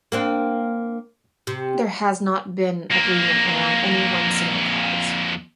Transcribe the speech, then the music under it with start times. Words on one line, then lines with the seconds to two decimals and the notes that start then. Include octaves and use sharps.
There has not been agreement around any one single cause.
0.12 A#3 C4 D4
1.47 C3
2.91 F2 A#3